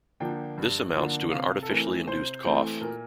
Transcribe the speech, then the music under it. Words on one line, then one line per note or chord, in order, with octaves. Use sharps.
This amounts to an artificially induced cough.
D3 F3 A#3 D4 G5
G2
D3 F3 A#3 D4
C3 F5
A4
E3 A3 C4 A#4
C3 C5
E3 A3 C4
A#2 A#4